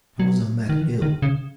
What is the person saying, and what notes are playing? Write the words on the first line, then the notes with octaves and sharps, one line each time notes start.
"I was on that hill."
F#3
D#3
E3
D#3
C#3